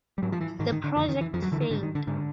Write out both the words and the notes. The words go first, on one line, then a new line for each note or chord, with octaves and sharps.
The project failed.
G3
G#2 F#3
F3
E3
G#2 D#3
D#3
D3
F2 D3
D#3
D3
E3
F2 F3
F#3
D3 E3
D#3
G#2 D3
D#3
D3
G#2 D3